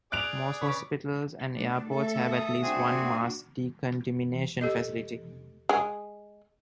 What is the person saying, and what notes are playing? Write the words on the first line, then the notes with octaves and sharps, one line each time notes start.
Most hospitals and airports have at least one mass decontamination facility.
G#4 D5 F#6 D7 F7
C#3 B4 C#5 B5
A3 D4
A3 A4 E5
D#6
A#3 C4 D4 F#4 G#4 G#5
G4 A4 D#5
G#3 G#4